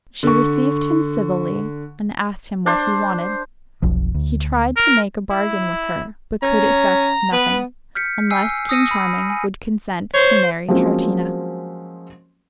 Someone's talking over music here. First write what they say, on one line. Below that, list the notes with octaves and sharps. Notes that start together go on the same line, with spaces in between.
She received him civilly, and asked him what he wanted. He tried to make a bargain with her but could effect nothing, unless King Charming would consent to marry Troutina.
D3 C#6
D4 C5
F1 B1 F3
D2
A#4
E4
C#4 A#5
B3 B4
F6 G6 B6 C#7
G#5 E6 C7
D#6 E6 A#6 C#7 D#7
B5
G#5
C5 C#5
F3 F#3 G#3 A#3 C4 C#4